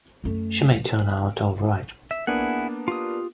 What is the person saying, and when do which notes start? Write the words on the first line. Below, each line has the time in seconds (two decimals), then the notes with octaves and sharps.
She may turn out all right.
0.24 F#2 A3
0.72 A#1 F3
2.11 E5
2.27 A#3 B3 D4 E4 G#4 F#5
2.88 F4 G4 D#6